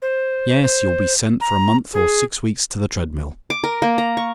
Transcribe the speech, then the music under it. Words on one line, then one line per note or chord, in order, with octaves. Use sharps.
Yes, you'll be sent for a month or six weeks to the treadmill.
C5
C5
A#5
G#4
D6
A#4
A#3
A#5
C#6